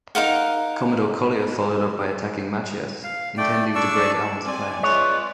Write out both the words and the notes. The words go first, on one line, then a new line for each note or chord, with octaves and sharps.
Commodore Collier followed up by attacking Machias, intending to break Allan's plans.
D#4 A#4 F5 F#5
F5
A3 D5 G5
D4 D5 C#6 E6
C4 D5 G#5
G#3 F4 B4 C#5 D5 E5